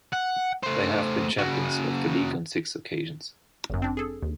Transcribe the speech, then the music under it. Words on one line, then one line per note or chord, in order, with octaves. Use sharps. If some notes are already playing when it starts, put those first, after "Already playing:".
They have been champions of the league on six occasions.
F#5
A3 C5
C#3 F#4
G1 F#2
C4 D4
G#4 A4
D#2